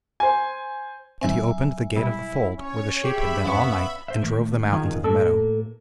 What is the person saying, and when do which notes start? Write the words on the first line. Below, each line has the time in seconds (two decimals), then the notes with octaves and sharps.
And he opened the gate of the fold, where the sheep had been all night, and drove them out into the meadow.
0.20 C5 G#5
1.21 D#3 F#3 C4 E5 G#5
1.96 B2 G3 E4
2.58 C#4 C#5
3.04 G4 G#4 E5 B5
3.44 F2 B3 C#4 F5 C#6 C#7
4.08 C5 E5
4.22 D#3 A3 A#3
4.72 D#3 F4 G#4
5.04 A2 A#3 A4